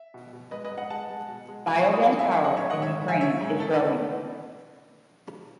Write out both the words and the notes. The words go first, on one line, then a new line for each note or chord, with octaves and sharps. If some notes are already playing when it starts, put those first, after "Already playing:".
Biogas power in Ukraine is growing.
Already playing: E5
B2
B2
G#2 B4 D#5
B4 D#5
G#2
D#5 F#5
G#3 F#5 A5
G#3
B2
G#3
B2 G#5 B5
A5 C#6
G#3
B5 D#6
F#3 G#5 B5
E5 G#5
A2
C#5 E5
F#3 D#5 F#5
C#5 E5
A2
D#5 F#5
G#2 C#5 E5
G#2
E5 G#5
F#3 C#5 E5
G#2
E3 A4
B4